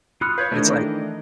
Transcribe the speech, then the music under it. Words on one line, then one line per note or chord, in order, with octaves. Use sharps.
and it's, like
F4 B5 D#6 F6 F#6 C#7
B4 C#5 F5 G6 G#6
D#3 E3 A3 D4 A#4 D#5